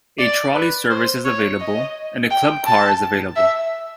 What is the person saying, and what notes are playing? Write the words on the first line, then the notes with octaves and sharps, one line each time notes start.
A trolley service is available, and a club car is available.
D5
B4
C5
C#5
D#5
G5
A5
E5